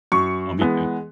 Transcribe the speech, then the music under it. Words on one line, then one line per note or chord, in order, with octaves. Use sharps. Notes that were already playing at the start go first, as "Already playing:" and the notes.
Oh, me too.
F#2 C#6
E3 G#3 B3